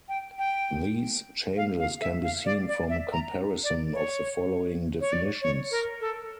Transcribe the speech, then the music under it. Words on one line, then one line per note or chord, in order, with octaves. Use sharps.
These changes can be seen from comparison of the following definitions.
G5
G5
F5
F5
E5
F5
D5
D5
E5
A#5
D5
C#5
C#5
D5
C#5
A#4
A4